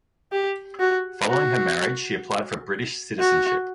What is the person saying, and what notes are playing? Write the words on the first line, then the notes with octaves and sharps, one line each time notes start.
Following her marriage she applied for British citizenship.
G4
F#4
F#4
F#4